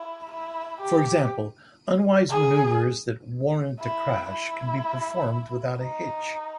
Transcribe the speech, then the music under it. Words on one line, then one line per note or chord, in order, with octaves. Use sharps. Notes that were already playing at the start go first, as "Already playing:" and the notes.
For example, unwise maneuvres that warrant a crash can be performed without a hitch.
Already playing: E4
E4
G4
G#4
E4
E4
D#4